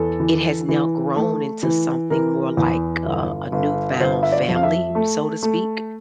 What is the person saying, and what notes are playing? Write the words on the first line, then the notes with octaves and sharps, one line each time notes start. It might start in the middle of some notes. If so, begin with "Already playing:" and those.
it has now grown into something more like a a newfound family, so to speak.
Already playing: E2 A4
E3
E3
A3
E3
E3 A#4
E2
G1
G1
G1 C5
E5
D5
F2
F5
E5
A3
A3